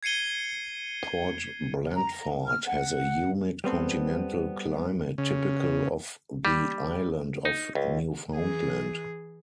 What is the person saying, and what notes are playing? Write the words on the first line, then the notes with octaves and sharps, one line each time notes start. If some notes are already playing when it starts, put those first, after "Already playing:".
Port Blandford has a humid continental climate typical of the island of Newfoundland.
G#6 C7 C#7 D#7 G7
A#5
F6
F#5
G3 B3 C4 A4
C#3
G3
D#4
C#2
E3 G#4